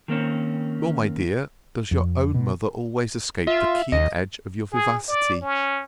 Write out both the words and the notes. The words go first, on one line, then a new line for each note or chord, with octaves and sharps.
Nor, my dear, does your own mother always escape the keen edge of your vivacity.
D#3 A#3 C4 C#4
F2
B2
F4 E5
D#2 D#5
G#4
D5
C#4